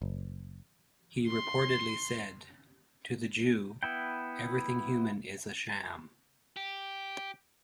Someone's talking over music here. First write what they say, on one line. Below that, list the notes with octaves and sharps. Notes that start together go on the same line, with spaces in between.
He reportedly said, To the Jew, everything human is a sham.
F#1
C6
B3 E4 G5
G4